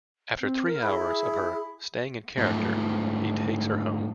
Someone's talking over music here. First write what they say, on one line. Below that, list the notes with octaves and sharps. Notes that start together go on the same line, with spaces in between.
After three hours of her "staying in character", he takes her home.
C4
A#4
E4 G#4
G#2 F3 A3